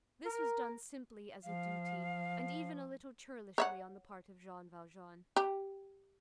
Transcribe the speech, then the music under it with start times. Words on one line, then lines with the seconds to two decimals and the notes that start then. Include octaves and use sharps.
This was done simply as a duty and even a little churlishly on the part of Jean Valjean.
0.24 A#4
1.44 F3 F5
3.58 C#5 E5 F#5
5.36 G4